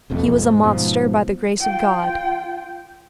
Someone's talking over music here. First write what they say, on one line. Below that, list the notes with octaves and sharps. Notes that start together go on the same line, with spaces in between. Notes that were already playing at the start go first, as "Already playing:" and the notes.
He was a monster by the grace of God.
E1 B1 F2 A3
G#2
G#2 B2 F3
F4 G5